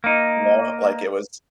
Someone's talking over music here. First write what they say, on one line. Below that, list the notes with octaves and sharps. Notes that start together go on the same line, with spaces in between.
You know? Like, it was
A#3 D#4